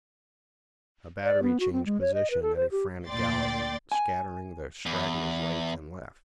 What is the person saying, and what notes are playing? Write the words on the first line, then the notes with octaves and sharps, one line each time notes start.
A battery changing position at a frantic gallop scattered the stragglers right and left.
D5
B3
F#4
C4
G#3
C#5
D#5
B4
A4
C5
G4
D2 A#2 D5 G5 C6 A6
G#5
E2